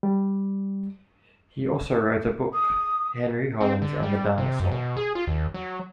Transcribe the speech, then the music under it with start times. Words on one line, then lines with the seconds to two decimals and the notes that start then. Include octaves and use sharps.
He also wrote a book, "Henry Hollins and the Dinosaur".
0.03 G3
2.53 D#6
3.61 C4
3.82 D3
4.03 G3
4.38 C3
4.60 F#2
4.72 B2
4.97 G#4
5.15 F4
5.27 D#2
5.54 F#3